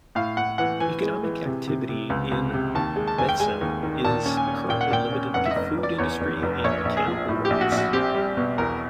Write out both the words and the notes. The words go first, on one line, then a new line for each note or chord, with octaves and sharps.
Economic activity in Mezen is currently limited to food industry and mechanical works.
A2 F5
A2 F#5
E3 F#5
E3 G#5
G#3
E3
C3
C3
C3
C#2
C#2
C3
D#2 A5
G#3
A5
F1 G#5
G5
G#3 G#5
D#2
D#3
A#2 A5
C#4
G#5
C#4
A#2 G5
F#5
A#2 G5
C#4
F1 F#5
E5
F1 D#5
F1
D5
E2 C#5
F1
F1
A#1 C#5
A#1
G#4
F3
A2
G4
A#1
F#4
A#1
F#4
C4 G4
G3
B2
E2 A#4